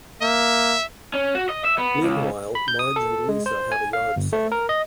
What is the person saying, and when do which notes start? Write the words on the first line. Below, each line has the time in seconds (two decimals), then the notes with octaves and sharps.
Meanwhile, Marge and Lisa have a yard sale.
0.22 A#3 E5
1.14 C#4
1.35 F#4
1.49 D#5
1.64 E5
1.78 B3
2.03 C#2
2.55 B5
2.68 G6
2.79 D#6
2.96 A4
3.29 G#3
3.46 C5
3.72 G#5
3.93 F5
4.16 G1
4.33 A3
4.52 A#4
4.69 D#5